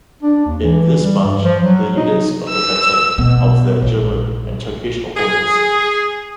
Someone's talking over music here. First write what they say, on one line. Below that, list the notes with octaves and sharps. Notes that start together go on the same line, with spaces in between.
In this march the units got the better of their German and Turkish opponents.
D4
D#2
E3
G3
G2
F3
F#3
D#4
E6
B2
A#1
G#4